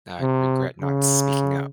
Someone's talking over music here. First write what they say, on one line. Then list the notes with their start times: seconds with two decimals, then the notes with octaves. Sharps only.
not regret not speaking up.
0.21 C3
0.82 C#3